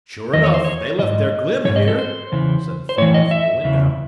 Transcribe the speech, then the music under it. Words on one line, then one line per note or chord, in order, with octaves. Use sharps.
"Sure enough, they left their glim here," said the fellow from the window.
E2 D#3 D#5
C#5
C5
C#5
G#2 E3 D#5
G#2 E3 C#5
D#5
A4
C5
E2 C#3 E3
C5
A2 E3 C#5
D#5
E5
E2 C#3 E3